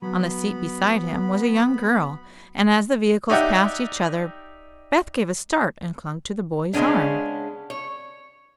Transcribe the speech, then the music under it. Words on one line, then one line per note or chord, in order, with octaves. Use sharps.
On the seat beside him was a young girl, and as the vehicles passed each other Beth gave a start and clung to the boy's arm.
F#3 B3 B5
D#4 G4 D5 E5 F#5 G5
C#3 G#3 B3 C#4 D4
C#5